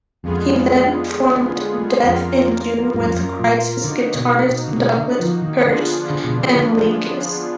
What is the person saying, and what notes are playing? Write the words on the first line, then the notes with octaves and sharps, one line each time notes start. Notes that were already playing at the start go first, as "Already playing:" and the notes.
He then formed Death in June with Crisis guitarist Douglas Pearce and Leagas.
F2 D3 G#3 B3 F4 G#4
F2 A#3 F4 A#4
G#2
F#2
F2
F#2
A#2
D3 A#3 D#4 F#4
B2
B2
D3
B2
D3
F3
D#3
D3 F3 B3 D4 F4 G#4
D3
B2
D3
D3